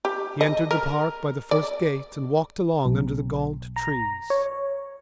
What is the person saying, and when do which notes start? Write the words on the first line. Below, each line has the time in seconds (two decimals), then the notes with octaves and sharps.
He entered the Park by the first gate and walked along under the gaunt trees.
0.05 G4
0.41 D#5
0.71 A#4
1.51 D5
2.86 B1
3.76 A#5
4.30 C#5